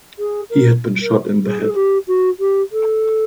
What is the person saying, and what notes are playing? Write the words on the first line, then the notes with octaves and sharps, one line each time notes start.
He had been shot in the head.
G#4
A#4
A#4
G#4
A4
G#4
G4
F#4
G4
A4